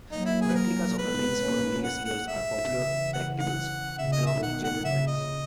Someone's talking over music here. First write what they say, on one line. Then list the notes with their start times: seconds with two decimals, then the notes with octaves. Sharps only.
Replicas of the rings for various years are popular collectibles, along with genuine rings.
0.11 F#3 A#3 D#4
0.25 E4
0.41 G#4
0.48 B4
0.55 A#4
0.97 G#3 B3 B4
1.40 A#3 C#4
1.83 F#5
2.05 F#5
2.27 E5
2.70 C#3 E3
3.13 F#5
3.40 F#5
3.99 A#2 C#3 E5
4.12 D#5
4.26 E5
4.42 B2 D#3 F#5
4.64 F#5
4.85 A#2 C#3 E5
5.07 D#5